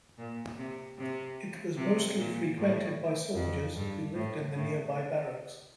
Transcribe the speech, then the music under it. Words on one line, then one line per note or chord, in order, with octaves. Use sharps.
It was mostly frequented by soldiers who lived in the nearby barracks.
A#2
C3
C3
C3
A#2
A2
F2
G2
A2
A2